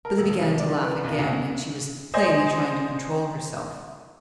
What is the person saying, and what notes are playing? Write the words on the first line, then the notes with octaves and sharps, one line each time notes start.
Billy began to laugh again, yet she was plainly trying to control herself.
A#4
D#1
C2
D5
B4
B1
D2
C5 D5 D#5 G#5